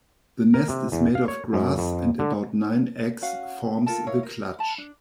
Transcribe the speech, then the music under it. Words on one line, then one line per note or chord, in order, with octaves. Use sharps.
The nest is made of grass and about nine eggs forms the clutch.
A#4
C3
E2
F5
C#5
F#2
F2
D3
C#4 F#4 F5 F#5
F4 A4 A#4 A5
E4 A#4 C#5 F5
A#4
A5 B5
D4